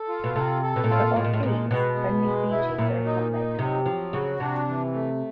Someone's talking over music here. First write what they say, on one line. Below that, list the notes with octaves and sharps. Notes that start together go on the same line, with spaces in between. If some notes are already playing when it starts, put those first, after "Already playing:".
But of these, only Fiji is a republic.
Already playing: A4
F4
B2
C3 A4
A4
B2
A#2
A2 F4
A#2
A2 G#3
A#2
A2
A#2 G#3
B2 G#3
B3
G#3
E4
A#2 F#3
D#4
D#4
C3 F#3
F3 F#3
C#3 F#4
C3 D4
E3
A3